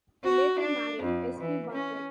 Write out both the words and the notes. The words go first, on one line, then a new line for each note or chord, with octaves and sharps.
He later married Esme Barton.
F#4
D4
F2
E3
C#4